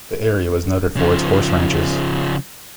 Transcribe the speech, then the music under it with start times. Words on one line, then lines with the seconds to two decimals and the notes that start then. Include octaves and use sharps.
The area was noted for its horse ranches.
0.97 C#3 F3